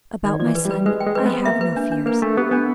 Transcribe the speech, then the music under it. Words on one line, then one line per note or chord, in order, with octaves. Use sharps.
About my son, I have no fears.
D#3 D5
F3 D5
E3
B4
G3
B4
G#3 B4
G5
G#3
C4 B4
B3 B4
A#3 E5
B4
D4
D4
A#3 B4
A3 D4
B3 G4
B3 D4